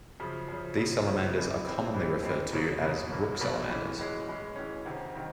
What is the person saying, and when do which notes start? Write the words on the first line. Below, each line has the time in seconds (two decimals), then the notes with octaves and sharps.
These salamanders are commonly referred to as brook salamanders.
0.20 F#2 C#3 F3
0.49 F#2 C#3 F3
0.78 F#2 C#3 F3
1.06 F#2 C#3 F3
1.36 G2 E3 G#3 C4
1.65 G2 E3 G#3 C4
1.94 G2 E3 G#3 C4
2.23 G2 E3 G#3 C4
2.52 C2 B2 F#3 A#3
2.81 C2 B2 F#3 A#3
3.10 C2 B2 F#3 A#3
3.40 C2 B2 F#3 A#3
3.69 A2 E3 G#3 C#4
3.98 A2 E3 G#3 C#4
4.27 A2 E3 G#3 C#4
4.56 A2 E3 G#3 C#4
4.85 D2 C3 D#3
5.15 C3 D#3